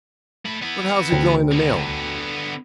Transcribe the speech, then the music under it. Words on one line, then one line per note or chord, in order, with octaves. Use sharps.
'But how's he going to nail him?
A3 B5
B3 E4
D2 G5
D3 B3